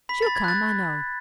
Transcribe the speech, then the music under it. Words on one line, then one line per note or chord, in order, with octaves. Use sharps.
She'll come, I know.
B5 B6
A6
B5
G#6
F#6 A6